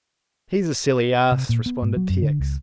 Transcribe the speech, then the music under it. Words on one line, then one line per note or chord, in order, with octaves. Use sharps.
"He's a silly ass," responded T. X.
C3
A#2
B3
G#2
F#3
F#2
D3
C#2